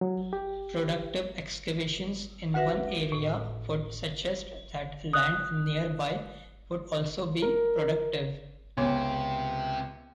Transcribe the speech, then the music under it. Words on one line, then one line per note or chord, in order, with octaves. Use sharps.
Productive excavations in one area would suggest that land nearby would also be productive.
F#3
G4
D2 F#4 B4 E5 F#5 A#6
A2
D#6 F#6
A#4
C#2 C3 B3 G4 C#5 D6